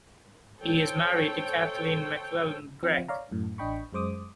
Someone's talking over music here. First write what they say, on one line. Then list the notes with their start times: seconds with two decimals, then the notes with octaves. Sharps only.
He is married to Kathleen MacLellan Gregg.
0.60 A4 C5 C#5 G5
2.83 F3 C4
3.08 C#5 D5 F5 A#5
3.32 F#2 A2
3.58 A1 D4 D#5 G5 B5 C#6
3.93 F#2 G#3 C5 D6 D#6